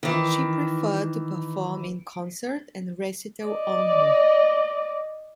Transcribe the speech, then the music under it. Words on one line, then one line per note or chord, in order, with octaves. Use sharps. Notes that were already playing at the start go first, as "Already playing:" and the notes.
She preferred to perform in concert and recital only.
D#3 E3
D5 D#5